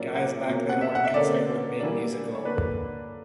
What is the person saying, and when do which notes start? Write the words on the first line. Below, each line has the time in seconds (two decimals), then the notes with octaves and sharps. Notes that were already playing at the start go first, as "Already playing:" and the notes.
Guys back then weren't concerned with being musical.
Already playing: A#2 F#3 A#3 C#4 D5
0.15 F#5
0.48 B2 A#3 C#4
0.69 F#5
0.81 E5
0.95 F#5
1.05 E5
1.14 D3 A#3 C#4 D5
1.80 E3 G3 A#3 D4
2.35 C#5
2.45 D3 A#3 D4 B4